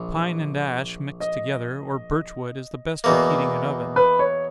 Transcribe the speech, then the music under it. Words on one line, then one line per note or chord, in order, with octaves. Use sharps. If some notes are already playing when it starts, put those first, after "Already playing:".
Pine and ash, mixed together, or birch-wood, is the best for heating an oven.
Already playing: A#1
D#5
E2 B2 A#3
B4
C#5